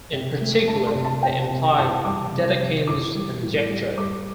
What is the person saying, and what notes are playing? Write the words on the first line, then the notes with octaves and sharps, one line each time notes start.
In particular, they imply Dedekind's conjecture.
C3
A3
A3 A5
C6
C3
A5
C3 G5
C3
E3 A5
G3 D6
C3
C3
E3 D6
G3
A2
G3
G3 D6